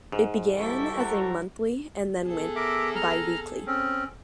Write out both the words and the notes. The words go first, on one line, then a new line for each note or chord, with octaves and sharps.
It began as a monthly and then went biweekly.
G#2
G3 E4 A4 C#6
C5 F#5 A#5
B3 G#4 A4
A#4 E5 D6
A#5 F6
C4 C#4